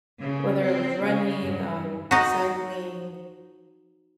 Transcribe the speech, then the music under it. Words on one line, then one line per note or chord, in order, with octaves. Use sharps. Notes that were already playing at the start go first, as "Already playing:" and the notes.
whether it was running, um, cycling,
C#3
C4
C#3
G2
D#4 F#4